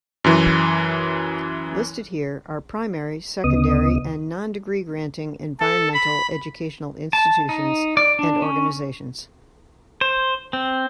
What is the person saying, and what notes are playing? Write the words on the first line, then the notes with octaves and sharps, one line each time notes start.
Listed here are primary, secondary, and non-degree granting environmental education institutions and organizations.
F#2 E3
D2 C#3 B3 D#5 D#6
A4
B5
A5
D#4
D5
D4
C#4
C5
C4